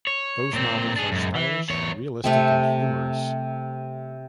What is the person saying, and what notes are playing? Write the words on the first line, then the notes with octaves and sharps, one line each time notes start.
Those novels are stylish, realistic and humorous.
C#5
A#2 C4
D4 G#4
F#2 G#3
E3
E2 C#5
C3 A3 C4